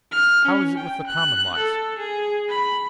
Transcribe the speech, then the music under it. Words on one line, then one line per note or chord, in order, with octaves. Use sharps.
How is it with the common lives?
F6
C#4
G5
F#6
A4
G#4
B5